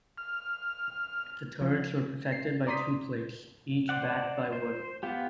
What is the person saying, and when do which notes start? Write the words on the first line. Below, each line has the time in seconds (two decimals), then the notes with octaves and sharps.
The turrets were protected by two plates, each backed by wood.
0.18 F6
1.61 F3
2.32 C7
2.67 D5 A#5 C6 D#6 B6
3.89 C5 D5 F#5
4.53 C5
5.03 B3 F4 G4